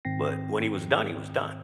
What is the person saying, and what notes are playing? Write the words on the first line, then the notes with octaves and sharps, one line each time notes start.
but when he was done, he was done.
G#2 D#3 C4 G5 A#6 C7